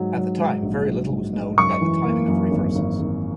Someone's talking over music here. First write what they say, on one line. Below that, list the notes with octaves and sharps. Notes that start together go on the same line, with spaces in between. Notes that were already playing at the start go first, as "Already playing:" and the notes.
At the time, very little was known about the timing of reversals.
Already playing: G#2 F#3
F#3
G#2
A#1
F#3
G#2
G#2
F#2 C#6
E3
A#3
F#2
G#1
G#1
G#1